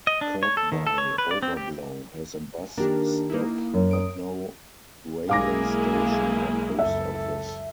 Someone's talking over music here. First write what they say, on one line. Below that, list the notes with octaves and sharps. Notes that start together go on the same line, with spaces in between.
Kirkby Overblow has a bus stop, but no railway station or post office.
D#5
D4
C#5
A4
D#3
A4
C#5
B4
D5
C4
G4
D#3 A#3 D4 G4 A#4
A#3 D#4 E4
F#2
D#6 D7
B1 G#3 A#3 E4 G#4 F5 D6 A#6
C#2 F#2 A4 E5